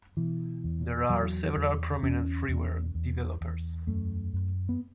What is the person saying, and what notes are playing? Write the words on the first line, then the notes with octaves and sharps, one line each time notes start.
There are several prominent freeware developers.
B2 E3
E2
E2 F#3
E2
E2 C#4
E2
E2
E2
F#2 A3
F#2
B3